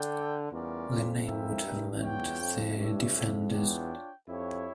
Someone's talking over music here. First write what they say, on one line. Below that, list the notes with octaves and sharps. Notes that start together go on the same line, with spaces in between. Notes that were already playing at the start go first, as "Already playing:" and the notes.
The name would have meant the "defenders".
Already playing: D3 D4 A4 D5 G5
E2 G3 C#4 F4 A#4 D5
F2
E4 A#4 E5 G5
G2
E2 D4 F4 C#5 G5
F2
G2 D4 G4 C#5 E5
F2
E2 D4 F4 C#5 G5
F2 E4 G4 C#5